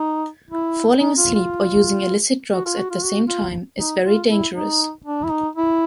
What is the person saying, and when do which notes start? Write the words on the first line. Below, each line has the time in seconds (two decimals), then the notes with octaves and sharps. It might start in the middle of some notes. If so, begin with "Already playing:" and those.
Falling asleep or using illicit drugs at the same time is very dangerous.
Already playing: D#4
0.50 E4
1.00 D#4
1.17 F4
1.34 F4
2.53 F#4
2.66 F4
2.78 F#4
2.91 F4
3.03 F#4
3.28 F4
3.78 D#4
4.04 F4
4.29 E4
4.55 D#4
5.05 D4
5.23 E4
5.31 D#4
5.56 E4